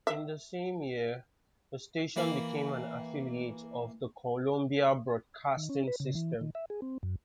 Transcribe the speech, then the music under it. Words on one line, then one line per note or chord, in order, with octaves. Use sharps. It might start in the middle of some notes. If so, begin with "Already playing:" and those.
In the same year, the station became an affiliate of the Columbia Broadcasting System.
E5
E3 A#3 B5
D#3
C#4
B4
C#3
E3
D#3
E5
G#4
C4
F#2